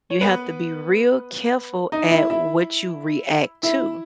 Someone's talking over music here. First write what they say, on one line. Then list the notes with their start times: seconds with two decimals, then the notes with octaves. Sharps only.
"You have to be real careful at what you react to."
0.10 C#5
0.21 B3 B4
1.92 D#4 D#5
2.11 E4 E5
2.30 E4 E5
3.63 E4 E5